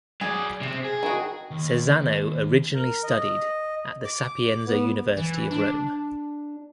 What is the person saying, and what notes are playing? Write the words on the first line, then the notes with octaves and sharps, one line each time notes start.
Cesano originally studied at the Sapienza University of Rome.
F#3 G#4 D5
C3 C4
G#4
D#3 F#4
D#2
A#4
D#5
D6
B3
E3
D4